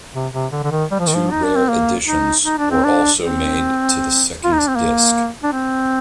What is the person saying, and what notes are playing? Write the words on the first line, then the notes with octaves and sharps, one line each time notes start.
Two rare additions were also made to the second disc.
C3
C3
D3
D3
D#3
G3
F3
D#3
F3
D#4
D4
C4
A#3
D#4
D#4
D4
C4
D4
C4
F4
D#4
D4
C4
A#3
D4
C4